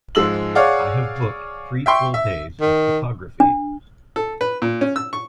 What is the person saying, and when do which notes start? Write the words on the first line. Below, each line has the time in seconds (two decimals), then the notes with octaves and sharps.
I have booked three full days of photography.
0.15 G#2 F3 G#3 E6 F#7
0.55 G#4 C#5 D5 F5 F#5 D6
1.86 E5 G5 C6 C#6
2.14 E5
2.61 D#3
3.40 D4
4.16 A4
4.41 B4
4.62 A#2
4.81 C#4
4.96 E6
5.13 C#6